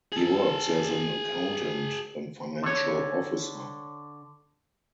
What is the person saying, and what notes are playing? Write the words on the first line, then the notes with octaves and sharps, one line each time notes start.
He works as an accountant and financial officer.
G#4 A5
D3 C#5